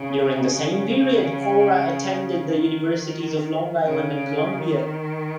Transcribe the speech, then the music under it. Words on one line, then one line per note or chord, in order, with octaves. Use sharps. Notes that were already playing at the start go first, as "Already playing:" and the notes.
During the same period, Kaura attended the universities of Long Island and Columbia.
Already playing: C#3
C#3
D#3
C#3
D#3